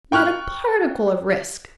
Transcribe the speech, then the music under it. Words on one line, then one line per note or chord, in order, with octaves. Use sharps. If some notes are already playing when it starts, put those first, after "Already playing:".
Not a particle of risk.
G5 C#6 F6 F#6